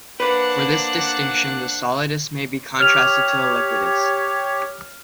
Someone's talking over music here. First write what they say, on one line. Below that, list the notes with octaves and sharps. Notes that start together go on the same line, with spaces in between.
For this distinction, the solidus may be contrasted to the liquidus.
A#3 D4 B4 C5 D5 F#5
G4 C#5 F6 F7